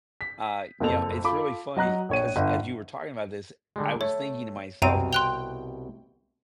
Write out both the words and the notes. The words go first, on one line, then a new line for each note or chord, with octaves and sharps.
uh, you know, it's really funny, 'cause as you were talking about this, I was thinking to myself,
B6
F#1 F2 C4 A4 F7
F4 A4 B5 D6
F#3 D#5 A#5 F#6
A#1 C#5 D#7
G1
D3 G3 G#3
A3 C#5
C2 F#2 B2 C4 G5 A#5 D#7
G5 C6 F#6 F7